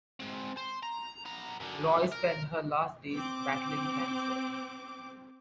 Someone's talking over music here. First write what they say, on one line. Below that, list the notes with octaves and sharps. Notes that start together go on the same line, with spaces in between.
Roy spent her last days battling cancer.
G#3 C4
C5
A#5
B3 A#5
F#2 D3
A#4
C4 D6